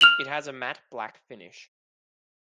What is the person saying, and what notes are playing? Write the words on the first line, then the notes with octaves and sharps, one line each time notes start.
It has a matte black finish.
F6 F7 F#7